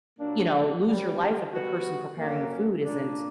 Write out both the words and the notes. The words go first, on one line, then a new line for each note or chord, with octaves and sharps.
you know, lose your life if the person preparing the food isn't,
A#2 F#3 A#3 D4
D2 C#3 G3
G3 B3 F#4
F#2 D3 A#3
A#2 A#3 D4